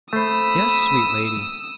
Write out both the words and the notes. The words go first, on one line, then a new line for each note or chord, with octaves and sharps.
"Yes, sweet lady."
A3 C5 B5 D#6 E6